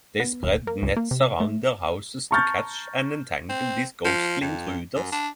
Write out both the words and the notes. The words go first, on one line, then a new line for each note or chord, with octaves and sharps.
They spread nets about their houses to catch and entangle these ghostly intruders.
B3
D#1
A#3
C#2
A#3
C3
A3
A5 A#5 C#6 F6 G6 A6
C4
F3
F2
F#2
D4